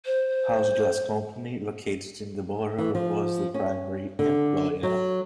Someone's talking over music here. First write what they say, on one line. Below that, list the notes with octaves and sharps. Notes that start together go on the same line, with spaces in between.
Houze Glass Company, located in the borough, was the primary employer.
C5
E3
F3
C#4
D3
F#3